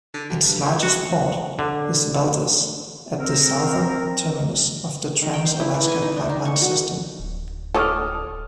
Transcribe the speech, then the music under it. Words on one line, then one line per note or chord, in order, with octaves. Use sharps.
Its largest port is Valdez, at the southern terminus of the Trans-Alaska Pipeline System.
D3
D2
G2
C#2
F#4
D3
C4 A#4
D#3
G5
C5
E4
E3
G#5
D#4
D4
D#3
C#6
F#4
D1
A4 C#5 D6 D#6 F6